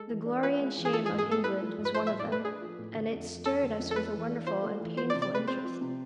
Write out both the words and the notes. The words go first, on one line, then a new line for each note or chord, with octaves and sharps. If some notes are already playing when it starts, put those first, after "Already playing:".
"The Glory and Shame of England" was one of them, and it stirred us with a wonderful and painful interest.
Already playing: G#3 A4
E3
D4
F4 B4
G#3
E3
G#4
F3 A4
G#4
G#2
G#4
B3 A4
E4 B4
F3
G#2
B4
F3 C5
A2 E5
D5
A3 B4
D4 G#4
F3
A2
D3
F2
F3
F2 A4
D3
F2
A4
A3 B4
E3
D4
F4 C5
A3
E3
F3 C5
D5
C3
D5
G#3 B4
C4 C5
F3
C3